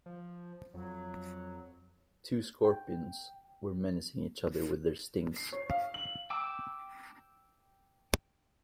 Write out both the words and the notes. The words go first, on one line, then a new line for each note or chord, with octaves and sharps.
Two scorpions were menacing each other with their stings.
F3
F2 F#3
G5
C7
C#5
F5
F#7
G5 D6 E6